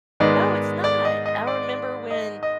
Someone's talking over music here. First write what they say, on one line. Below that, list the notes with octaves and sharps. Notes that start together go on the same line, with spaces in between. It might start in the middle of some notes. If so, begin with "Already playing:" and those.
No, it's not. I remember when,
G#2 D#3 G#3 B3 D5
D5
D#5
D#5
D5
D#5
D#5